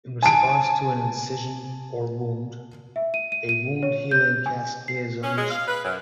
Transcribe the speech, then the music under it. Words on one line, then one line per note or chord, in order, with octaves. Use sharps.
In response to an incision or wound, a wound healing cascade is unleashed.
G#5 A5 D7
E5
D#7
D#7
D#7
C#5
G6
G#5
C7
C#4
G#3
F5
B4
F#2